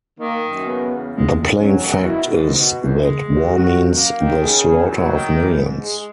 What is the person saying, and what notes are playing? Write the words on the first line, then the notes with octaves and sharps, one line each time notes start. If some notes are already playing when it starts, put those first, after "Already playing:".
The plain fact is that war means the slaughter of millions.
D#3 A#3
F#2
C#3 B3
E2
G#3
C#3
F#3 C#4
B2
D#3 E4
G#2
B2
E2
G#3
B2
D#3 F#4
F#2
A#3
D#3
C#3 G#4
E2
F#3
D#3
E3
G#2
G#3 G#4